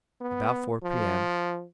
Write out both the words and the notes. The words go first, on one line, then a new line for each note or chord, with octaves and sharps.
About four p.m.
B3
F3